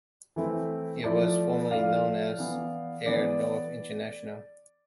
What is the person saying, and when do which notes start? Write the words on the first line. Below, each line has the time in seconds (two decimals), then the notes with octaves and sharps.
It was formerly known as Air North International.
0.36 E3 A3 C4 E4
1.04 F3 A3 E4 D5
1.71 F3 A3 E4 D5 F5
2.38 E3 B3 E4
3.06 E3 B3 E4 D5